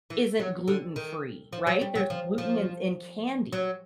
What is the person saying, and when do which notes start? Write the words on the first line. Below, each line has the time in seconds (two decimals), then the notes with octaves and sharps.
isn't gluten free, right? There's gluten in in candy,
0.10 E3
0.39 F#3
0.68 D3
0.96 D#3
1.53 F3
1.67 F#3
1.81 G3
1.95 F#3
2.10 F3
2.38 F3
3.53 F#3